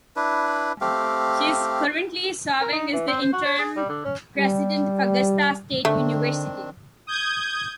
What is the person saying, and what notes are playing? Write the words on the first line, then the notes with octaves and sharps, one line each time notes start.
She is currently serving as the interim president of Augusta State University.
D4 E4 B4
A3 C4 G4 F5
A#4
D#4
E3
C4
C5
F#4
C#5
G#4
G3
D3
C#4
G3
D3 D#3 A3 C4 D4
D#6 G6 G#6